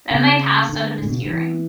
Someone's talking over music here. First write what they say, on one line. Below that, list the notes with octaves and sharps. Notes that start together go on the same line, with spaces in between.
Then they passed out of his hearing.
C#3
D3
A2
B2
C#3
D3
E3